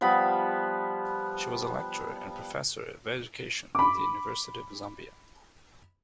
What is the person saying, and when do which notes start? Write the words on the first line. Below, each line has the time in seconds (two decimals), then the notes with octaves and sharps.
She was a lecturer and professor of education at the University of Zambia.
0.01 F3 G3 B3 B5
3.75 B5 D6